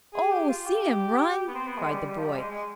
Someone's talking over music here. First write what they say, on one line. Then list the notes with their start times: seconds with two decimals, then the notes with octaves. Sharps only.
"Oh, see him run!" cried the boy.
0.13 G#4
0.31 G4
0.48 F4
0.67 G4
1.48 B3
1.54 C4
1.67 B3
1.78 G#3
1.91 G3
2.08 G3
2.18 F3
2.25 G3
2.37 G#3
2.50 G#3